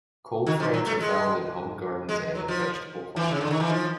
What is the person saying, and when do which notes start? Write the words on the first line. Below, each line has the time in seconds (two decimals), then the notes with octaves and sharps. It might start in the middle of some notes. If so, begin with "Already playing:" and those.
Cold frames are found in home gardens and in vegetable farming.
0.47 D#3
0.60 F3
0.74 F#3
0.87 A3
1.00 G#3
2.09 G#3
2.35 F#3
2.48 F3
3.16 E3
3.31 C#3
3.41 D3
3.51 D#3
3.60 E3
3.70 F3